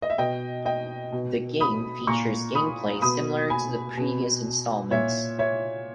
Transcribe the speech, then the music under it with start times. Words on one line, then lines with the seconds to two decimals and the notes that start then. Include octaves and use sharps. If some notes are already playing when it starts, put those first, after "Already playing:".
The game features game play similar to the previous installments.
0.02 D#5
0.10 E5
0.18 B2 D#5 G5
0.65 D#5 G5
1.12 B2
1.60 B5 D#6
2.07 A#2 A#5 C#6
2.55 B5 D#6
3.02 B2 B5 D#6
3.50 G#5 B5
3.97 B2
4.91 A#2 C#5 E5
5.39 C#5 E5